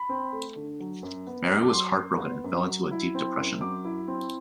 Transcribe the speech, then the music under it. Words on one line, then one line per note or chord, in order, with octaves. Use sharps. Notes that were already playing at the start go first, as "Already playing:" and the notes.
Mary was heartbroken and fell into a deep depression.
Already playing: B5
C4
A3
D3
F#3
F#2
B3
F#2
D6
F#3 C6
F#2
B3
F#2
F#3
E4
C4
F#2
F#3 D6
E4
C4